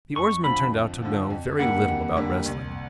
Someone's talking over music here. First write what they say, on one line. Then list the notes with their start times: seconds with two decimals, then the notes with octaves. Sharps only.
The oarsman turned out to know very little about wrestling.
0.16 F2 C#6
0.44 D3 F3 B5
0.73 F2
1.02 D3 F3
1.30 F2
1.59 D3 G3 A#3 F#5
1.87 F2
2.16 D3 G3 A#3
2.45 C2